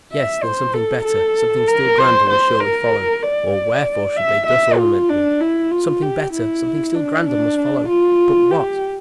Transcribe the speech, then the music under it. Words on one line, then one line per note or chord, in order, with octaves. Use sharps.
Yes; then something better, something still grander, will surely follow, or wherefore should they thus ornament me? Something better, something still grander must follow--but what?
E5
C5
A4
A4
A#4
C5
C5
A#4
D5
E5
E5
F4
D4
E4
F4
G4
E4
D4
D4
F4
G4